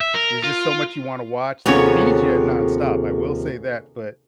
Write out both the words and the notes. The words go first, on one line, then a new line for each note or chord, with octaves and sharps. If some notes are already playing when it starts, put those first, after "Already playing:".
there's just so much you wanna watch. They feed ya nonstop, I will say that, but
E5
A#4
F4
D#2 C3 F3 B3 C#4 G#4 A4 C#5